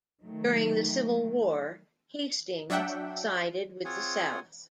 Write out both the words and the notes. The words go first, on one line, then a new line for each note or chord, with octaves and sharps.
During the Civil War, Hastings sided with the South.
D#3 F#3 A3
F#3 D4 E5 F#5 G5
C4 F4 G#4 C#5 F#5 G#5